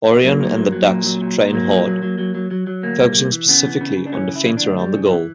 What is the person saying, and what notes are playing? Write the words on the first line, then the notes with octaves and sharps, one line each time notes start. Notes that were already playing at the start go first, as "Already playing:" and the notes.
Orion and the Ducks train hard, focusing specifically on defense around the goal.
F#3 A#3
A#2
F#3
F#3
A#2
F#3
A#2
A#2
F#3 A#3
A#2
F#3
F#3
F#3
F#3
F#3
F#3
D2 A#3
G3
G3
E3
C#3 B3
E3
C#3
C#3
D4
E3 C#4
C#3
E4
E3
D4
D2
G3
C#3
E3